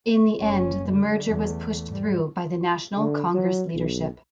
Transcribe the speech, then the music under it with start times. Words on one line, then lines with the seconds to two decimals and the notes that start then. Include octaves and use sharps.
In the end the merger was pushed through by the national Congress leadership.
0.41 F#1 C#4
0.89 D3 G3
1.27 E2 A3
1.88 G#2 G3
2.97 D3
3.34 F#3
3.75 B1